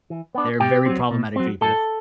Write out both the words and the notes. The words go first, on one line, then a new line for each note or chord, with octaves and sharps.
They're very problematic people.
E3
B3 D4
B2 G4 G5
F#3 C4
B2
F#3 C4
A2 A4 A5